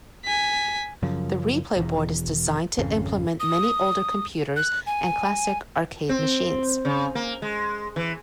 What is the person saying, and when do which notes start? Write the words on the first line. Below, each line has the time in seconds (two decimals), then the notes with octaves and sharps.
The Replay board is designed to implement many older computers and classic arcade machines.
0.25 G#5 B6
1.03 F#2 C#3 F3
1.77 E1 E2
2.78 G#1 F2 C#3
3.40 D#6
4.56 F#6
4.87 G#5
6.09 C4
6.85 C#3
7.15 A#3
7.42 G#3
7.96 E3